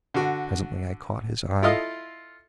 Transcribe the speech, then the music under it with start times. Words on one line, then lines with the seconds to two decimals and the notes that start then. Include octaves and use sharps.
Presently I caught his eye.
0.14 D3 F#4
1.62 E4 F4 A4 D#5 F5